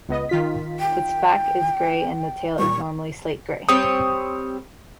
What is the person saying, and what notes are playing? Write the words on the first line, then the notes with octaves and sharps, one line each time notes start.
Its back is gray and the tail is normally slate-gray.
C#2 B3 D#5
D#3 F4 B6
G5
A#2 G3 C#6
G3 C4 C#5 D#6